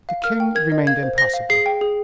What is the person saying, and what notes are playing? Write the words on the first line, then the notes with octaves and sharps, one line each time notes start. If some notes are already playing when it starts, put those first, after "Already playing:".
The king remained impassible.
F5
A#4 F6
G5
A#4 G#6
D#5
F5 G#6
C5
C5 A#6
F5
G#4 C7
G5
G#4